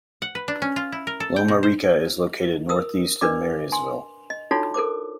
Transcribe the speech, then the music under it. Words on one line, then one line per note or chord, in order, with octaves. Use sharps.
Loma Rica is located northeast of Marysville.
F#5
B4
D4
C#4
F4
E4
A#4
A4
G5
B2
C5
A#4 D#6 E6
D4 A#4 B4 D5 D#5 D6
G#5 C6
D#5
D4 D#4 F4 F#4 A4 C#5
A4 A#4 C5 D6